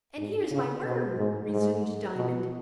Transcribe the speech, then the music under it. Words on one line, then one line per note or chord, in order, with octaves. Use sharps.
"And here's my worm," resumed Diamond.
G#2
C#3
B2
G#2
G#2
B2